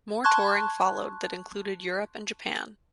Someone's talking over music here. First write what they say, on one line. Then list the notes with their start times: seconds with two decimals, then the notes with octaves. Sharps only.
More touring followed that included Europe and Japan.
0.24 A5 C6 C#6 F#6 G#6